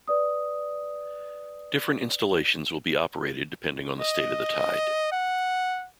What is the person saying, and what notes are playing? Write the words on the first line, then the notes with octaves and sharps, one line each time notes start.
Different installations will be operated depending on the state of the tide.
B4 D5 D#6
D#5
F#5